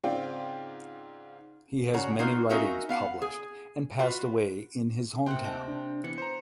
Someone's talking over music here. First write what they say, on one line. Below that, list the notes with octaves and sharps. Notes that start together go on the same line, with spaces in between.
He has many writings published and passed away in his hometown.
G#2 C#3 C4 F4 D5 G5
C#3 F#4 C#5 F#5 A#5
A#3 D#4 F4 F#4
C#4 D#4 F#4 A#4 E5 F5
B3 F5 F#5
G#4
F4 F#4 B4
C3 A#3 F#5 G5 C6 F#6
D#5 A5 D6
D4
E3 B3 C#7
C5 A#5